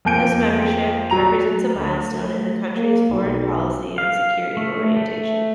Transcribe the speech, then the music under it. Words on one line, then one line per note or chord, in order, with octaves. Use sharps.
This membership represents a milestone in the country's foreign policy and security orientation.
F2 A#3 G#5 G6 D7
F#3 A#5 F7
D2
A3
A#3
B1
F5
A3
A3